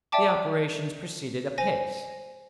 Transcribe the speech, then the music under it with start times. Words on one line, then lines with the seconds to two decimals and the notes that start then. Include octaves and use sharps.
The operation proceeded apace.
0.12 D5 E5 G5 A5 D6
1.58 C5 G#5 A#6 D#7